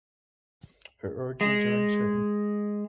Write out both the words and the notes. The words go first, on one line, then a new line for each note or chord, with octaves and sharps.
Her origins are uncertain.
G#3